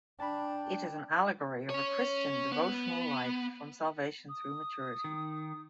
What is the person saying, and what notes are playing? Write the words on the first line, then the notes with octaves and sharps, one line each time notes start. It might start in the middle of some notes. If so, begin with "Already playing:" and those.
It is an allegory of a Christian devotional life from salvation through maturity.
D4 G5 A5 B5
C#4 C#5
B3
D#6
D#3